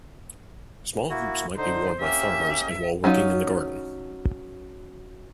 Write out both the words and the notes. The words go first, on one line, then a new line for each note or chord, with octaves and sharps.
Small hoops might be worn by farmers and while working in the garden.
A#3 E4 F#4
D3 D#4 C5
A#3 C#4 G4 E5
F#3 C#4 D#4 F4